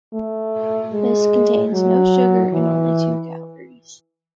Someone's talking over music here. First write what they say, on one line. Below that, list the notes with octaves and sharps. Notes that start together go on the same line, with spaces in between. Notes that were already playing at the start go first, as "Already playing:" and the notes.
This contains no sugar and only two calories.
A3
G#3
F#3
E3